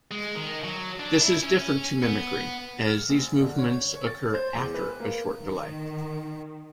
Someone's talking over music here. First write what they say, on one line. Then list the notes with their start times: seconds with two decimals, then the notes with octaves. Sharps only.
This is different to mimicry, as these movements occur after a short delay.
0.11 G#3
0.35 D#3
0.64 F#3
0.99 D4
1.21 E4
1.43 C#4
2.03 B3
2.86 F6
3.09 A#1
3.41 D3
3.59 C#5
3.94 C#5
4.07 A6
4.34 C5
4.55 E2
4.74 B4
5.00 A#3
5.40 D#3